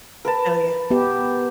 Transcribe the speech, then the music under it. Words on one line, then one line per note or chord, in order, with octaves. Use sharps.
Oh, yeah.
A#4 B4 A5
B3 G4